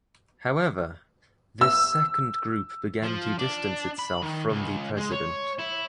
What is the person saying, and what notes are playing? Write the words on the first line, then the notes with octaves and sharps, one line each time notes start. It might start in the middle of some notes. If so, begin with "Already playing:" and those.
However, this second group began to distance itself from the President.
E6
F3
D4
B5
D#3
C#2
G#3
C#5
E4